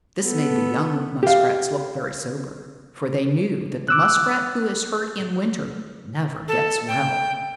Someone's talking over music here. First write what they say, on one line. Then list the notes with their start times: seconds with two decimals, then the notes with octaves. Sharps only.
This made the young Muskrats look very sober, for they knew that the Muskrat who is hurt in winter never gets well.
0.24 B3 A4
1.23 G4 F5
3.88 D6 E6 F#6
6.48 A4
6.88 G5